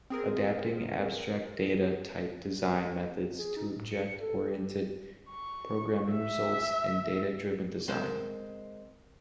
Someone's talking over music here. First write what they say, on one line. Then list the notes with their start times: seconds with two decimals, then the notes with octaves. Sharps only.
Adapting abstract data type design methods to object-oriented programming results in a data-driven design.
0.10 C4 G#4 A#4
3.39 G#4
3.57 D#4
3.76 A2
3.91 C#7
4.20 A4
4.50 G4
5.31 C#6
6.12 E5
7.88 G#3 C4 A#4